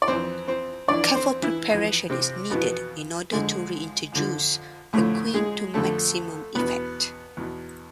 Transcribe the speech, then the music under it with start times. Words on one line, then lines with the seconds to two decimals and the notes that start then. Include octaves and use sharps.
Careful preparation is needed in order to reintroduce the queen to maximum effect.
0.02 D5
0.08 F2 E3 C4 C5
0.48 C4 C5
0.88 F2 E3 D4 D5
1.15 C4 C5
1.42 E3 E4
1.70 F2 E3
2.10 C3 C4
2.50 F2 B2 E3 B3
3.32 F2 D3 F3 G#3
4.12 F2 D3 F3
4.93 F2 A2 D3 F3 A3
5.34 G#3 G#4
5.74 F2 D3 F3 A3 A4
6.55 E2 B2 B3 B4
7.37 E2 B2